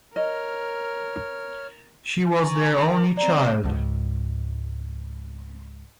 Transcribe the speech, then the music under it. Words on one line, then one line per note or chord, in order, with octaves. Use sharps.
She was their only child.
A#4 C#5 D#5 F6
D5 G#5 A#5 C#6
A#4 G5
C4 C5 D5 A#5
C#2 G#2